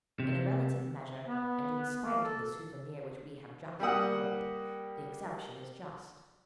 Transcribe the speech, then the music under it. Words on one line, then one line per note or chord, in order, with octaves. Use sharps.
In a relative measure, and in spite of the souvenir which we have just recalled, the exception is just.
C3
B3
A#3
A4
G3 A#3 G4 F#5 D#6